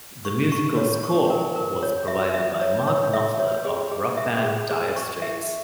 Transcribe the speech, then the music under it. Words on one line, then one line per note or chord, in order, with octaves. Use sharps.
The musical score was provided by Mark Knopfler of rock band Dire Straits.
C#6
C#6
C#5
C#6
A#4
A#4
C#5
E5
E5
C#5
C#5
E5
C#5
G#4
G#4
E5
G#4
G#4
C#6
E5